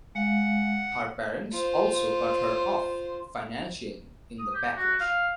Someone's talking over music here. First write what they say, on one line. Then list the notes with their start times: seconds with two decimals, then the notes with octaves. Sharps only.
Her parents also cut her off financially in the backlash.
0.15 G#3 F5 F#5
1.52 F4 C5
4.39 D#6
4.54 G4
4.77 F#4
5.00 F5